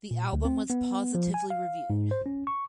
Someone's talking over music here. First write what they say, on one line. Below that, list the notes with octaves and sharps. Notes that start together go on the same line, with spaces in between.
The album was positively reviewed.
A#2
D2
C4
B3
F3
G#5
F5
G#2
C5
C#4
C#6